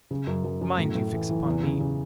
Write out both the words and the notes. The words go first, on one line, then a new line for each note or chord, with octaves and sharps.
Mind you fix upon me!
C#3
F#2
F#2
F#2
A2
A2
E3
E3
E2
C#3
C#3